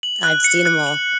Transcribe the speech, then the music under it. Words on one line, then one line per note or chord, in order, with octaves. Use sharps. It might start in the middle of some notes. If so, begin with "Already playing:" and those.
I've seen 'em all
F#7
F#6
C#7
F#6
F#7